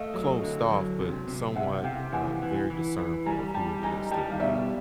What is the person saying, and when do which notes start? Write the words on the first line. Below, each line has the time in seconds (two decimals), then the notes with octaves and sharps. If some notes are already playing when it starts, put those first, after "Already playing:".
closed off, but somewhat, uh, very discernful of who it is that we
Already playing: A3 D#5 F5
0.14 F#3
0.43 D3
0.71 F#3
0.99 C3
1.28 C3
1.56 C3 E5 F#5
1.84 C3 F5 G5
2.12 E3 F#5 G#5
2.42 E3
2.70 E3
2.98 E3
3.26 G3 G#5 A#5
3.54 G3 G5 A5
3.83 D#4 G#5 A#5
4.11 G3 G5 A5
4.31 F5
4.40 B2 D5 E5